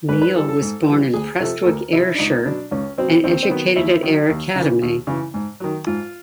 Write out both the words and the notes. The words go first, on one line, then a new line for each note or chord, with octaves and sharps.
Neill was born in Prestwick, Ayrshire and educated at Ayr Academy.
G#2 B4
B4
E3 G3 A4
A4
G#2
E3 G3
D2 G#4
C3 F3 A4
A4
D2 A#4
C3 F3 E4
D4
C#2 D#4
B2 F#3 D4
C#2 C#4
B2 F#3 C4
D#2 C4
C4
D#3 F#3 B3
D#2 E4
D#3 F#3
D#2
C#3 E3
D#2
C#3 E3
G#2
D#3 F#3
G#2 F4